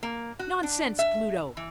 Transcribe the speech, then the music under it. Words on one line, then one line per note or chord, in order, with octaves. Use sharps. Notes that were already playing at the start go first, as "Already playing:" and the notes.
Nonsense, Pluto!
A#3
F#4
D4
E5
E3